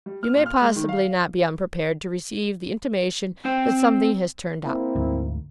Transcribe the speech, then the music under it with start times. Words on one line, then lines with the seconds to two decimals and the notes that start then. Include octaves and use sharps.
'You may possibly not be unprepared to receive the intimation that something has turned up.
0.06 G3
0.23 F6
0.34 A#2
0.46 F6
0.62 G#3
0.76 D#3
0.89 F5
3.45 C4 C5 G5
4.64 A#3 C4 E4
4.95 D2 G#2